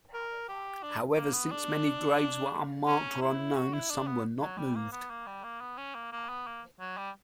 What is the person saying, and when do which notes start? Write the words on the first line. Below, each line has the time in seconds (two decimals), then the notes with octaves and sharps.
However, since many graves were unmarked or unknown some were not moved.
0.14 A#4
0.49 G4
0.83 D4
1.17 A#3
1.34 B3
1.51 D4
2.87 C#4
3.21 E4
3.56 F#4
3.73 E4
3.90 D4
4.07 B3
4.41 F#3
4.58 G3
4.75 A#3
4.92 B3
5.10 A#3
5.27 G3
5.44 A#3
5.61 B3
5.78 C#4
5.95 A#3
6.12 A#3
6.29 B3
6.47 A#3
6.80 F#3
6.97 G3